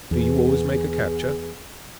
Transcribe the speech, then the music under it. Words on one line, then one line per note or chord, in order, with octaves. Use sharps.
"Do you always make a capture?"
E2 B3 G#4